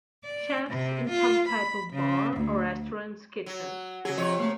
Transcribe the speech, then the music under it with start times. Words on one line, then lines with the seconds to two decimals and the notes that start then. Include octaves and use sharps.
Chefs in some type of bar or restaurant 's kitchens.
0.23 D5
0.69 C3
1.09 F4
1.49 B5
1.92 C#3
2.37 D2
3.46 F#3
4.05 C#3 F#3 G#4
4.18 C3 F3 C#5 D#5
4.39 A3 A#3